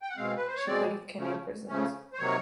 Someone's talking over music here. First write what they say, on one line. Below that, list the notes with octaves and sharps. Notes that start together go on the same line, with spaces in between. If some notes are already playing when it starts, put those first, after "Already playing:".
She played with Kenya Prisons.
G5
F#5
B2 G#3 C4 F5
B4
C5
C#5
B2 G#3 C4 D5
C#3 F3 A3 C#4
C#3 F3 A3 C#4
C5
C3 D#3 F#3 A#3 C#5